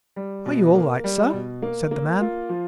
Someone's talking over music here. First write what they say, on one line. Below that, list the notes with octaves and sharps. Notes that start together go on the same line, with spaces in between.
"Are you all right, sir?" said the man.
G3
B2
A#3
G3
B2
A#3
A#3
F4
F3